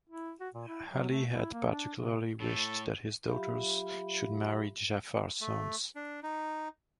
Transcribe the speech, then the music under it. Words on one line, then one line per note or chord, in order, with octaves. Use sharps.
Ali had particularly wished that his daughters should marry Ja'far's sons.
E4
F#4
A#2
E4
F#3
A3
E4
A#3
D4
C3
A2 A4
F#3 F4 G4 E5 F5 B5
A3
D4
D#4